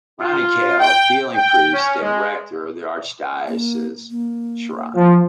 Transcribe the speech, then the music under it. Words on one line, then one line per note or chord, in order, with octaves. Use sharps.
Ronnie Cao, Healing Priest and Rector of the Archdiocesan Shrine.
F4
G5
G5
C#4
G#3
A#3
A#3
F3